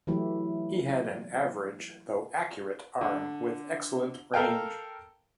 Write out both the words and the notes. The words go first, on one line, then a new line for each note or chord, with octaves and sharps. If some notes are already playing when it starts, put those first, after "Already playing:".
He had an average, though accurate, arm with excellent range.
E3 F#3 A3 E4 G4
D3
A4 A#4 F5 G5